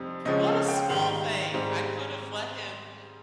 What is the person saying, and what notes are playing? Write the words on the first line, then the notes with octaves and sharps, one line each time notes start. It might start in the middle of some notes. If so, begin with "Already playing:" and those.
what a small thing. I could've let him
Already playing: F2 C3 G3 C4 D#4
C#2 C#3 F3 G#3 C#4 D#5
F5
G5
G#2 D#3 G3 F5
G#2 G3 C4